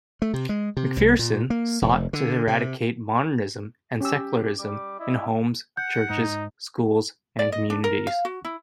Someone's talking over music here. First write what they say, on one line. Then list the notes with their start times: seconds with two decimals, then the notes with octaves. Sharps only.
McPherson sought to eradicate modernism and secularism in homes, churches, schools, and communities.
0.22 A3
0.34 C3
0.49 G#3
0.77 C3
0.97 C2
1.19 A#2
1.50 A#3
1.82 F1
2.13 D3
2.48 C3
4.01 C#4 G4 E6
4.58 G3 D6
4.99 E4 D5 D#5
5.77 F#5 G6
6.10 G#2 D#4
7.39 D5
7.52 D#5
7.70 D4
7.84 A#4
8.07 F5
8.25 F#4
8.45 E4